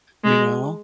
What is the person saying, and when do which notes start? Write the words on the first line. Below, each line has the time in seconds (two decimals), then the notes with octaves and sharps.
you know?
0.24 G#3